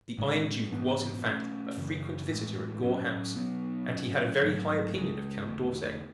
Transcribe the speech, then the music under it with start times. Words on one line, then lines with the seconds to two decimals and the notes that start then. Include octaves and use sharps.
The Iron Duke was, in fact, a frequent visitor at Gore House, and he had a very high opinion of Count d'Orsay.
0.18 A2 G#3 C#4
0.71 G#2 E3 B3 D4
1.24 B2 A3 C#4
1.77 F#2 C#3 E3
2.30 A2 E3 G#3
2.83 A2 F#3 C#4
3.36 B2 F#3 B3
3.89 B2 F#3 C#4
4.42 G#2 F#3 A3
4.95 C#2 C#3 G#3
5.48 E2 D3 A3